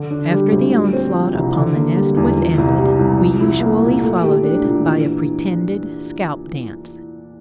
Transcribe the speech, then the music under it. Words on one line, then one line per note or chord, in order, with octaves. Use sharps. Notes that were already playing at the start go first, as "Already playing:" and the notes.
After the onslaught upon the nest was ended, we usually followed it by a pretended scalp dance.
Already playing: D3
D4
G3
D2
A#2
C4
F3
C2
D3
A#3
G3
E2
A#2
C2
G3
C2
F3
E4
A#3
A#2
A3
G4
D4
A#2
E3